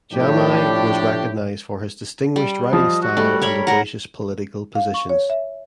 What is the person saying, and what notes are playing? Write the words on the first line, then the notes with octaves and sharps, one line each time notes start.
Jamai was recognized for his distinguished writing style and audacious political positions.
A2 F3 D4 G4
G3
F3 D#5
F#4
G3 A3
A#4 C#5 B5
A#4 F#5 A#5
F5
C#6
C#5
E5